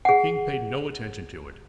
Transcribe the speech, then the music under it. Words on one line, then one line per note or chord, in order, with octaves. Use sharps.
The king paid no attention to it.
G#4 F#5